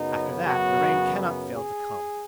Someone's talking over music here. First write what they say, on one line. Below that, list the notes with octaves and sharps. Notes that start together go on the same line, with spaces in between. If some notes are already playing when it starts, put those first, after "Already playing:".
After that the rain cannot fail to come.
Already playing: F#2 C#3 F#3 B3 D#4
F#4
G#4